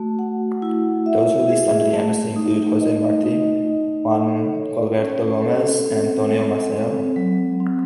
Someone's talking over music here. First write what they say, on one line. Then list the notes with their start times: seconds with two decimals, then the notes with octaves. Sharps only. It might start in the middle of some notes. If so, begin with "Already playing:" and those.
Those released under the amnesty included Jose Marti, Juan Gualberto Gomez, and Antonio Maceo.
Already playing: A3 F#4
0.19 F#5
0.62 E4
1.06 E5
1.49 G#4
1.93 A3
2.36 D#4
2.81 D#5
3.24 D#4
3.67 D#4
4.11 A4
4.55 C#5
4.98 C#4
5.42 A4
5.85 C4
6.29 G#3
6.72 C4
7.16 F#3
7.60 C4